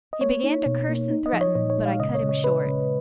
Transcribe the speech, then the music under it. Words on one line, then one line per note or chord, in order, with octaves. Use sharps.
He began to curse and threaten, but I cut him short.
D#5
A#3 C#5
D#4
B2
A#3
D#4
D#5
F3
C#5
A#2 C#5
C#5
G#3
F5
C#3 D#5
C#5
C#3
C#5
C#3 B4
C#3